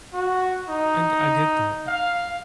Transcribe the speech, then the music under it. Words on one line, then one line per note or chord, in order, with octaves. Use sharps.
I I get that.
F#4
D#4
F5